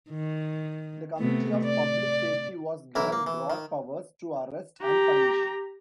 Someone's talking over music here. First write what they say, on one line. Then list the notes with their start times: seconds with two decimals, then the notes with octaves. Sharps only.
The Committee of Public Safety was given broad powers to arrest and punish.
0.10 D#3
1.17 C3 A3 B3
1.64 D5
2.95 B1 E3 E4 A#4
3.12 A#3
3.27 E3
3.50 D#3
4.82 G4 A#5